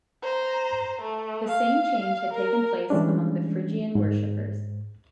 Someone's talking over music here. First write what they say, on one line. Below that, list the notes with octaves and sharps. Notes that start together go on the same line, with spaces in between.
The same change had taken place among the Phrygian worshipers.
C5 A#5
A3
F5
A#4
E3 G3 G#3 C#4 D4
G#2